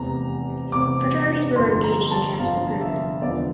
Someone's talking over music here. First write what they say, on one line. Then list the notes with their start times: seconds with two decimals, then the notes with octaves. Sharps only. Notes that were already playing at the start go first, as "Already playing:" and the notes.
Fraternities were engaged in campus improvement.
Already playing: F1 E2 C3 A#5
0.72 F1 E2 C3 D6
1.55 G1 F2 D3 C6
1.84 A#5
2.11 A5
2.39 G1 F2 D3 F5
2.81 E5
3.22 E1 E2 D3 F3 D5